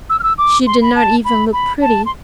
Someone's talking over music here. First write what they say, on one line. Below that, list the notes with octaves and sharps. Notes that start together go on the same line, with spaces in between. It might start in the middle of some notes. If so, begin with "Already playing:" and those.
She did not even look pretty!
E6
F6
E6
D6
C6
B5
A5
B5
B5
A5
C6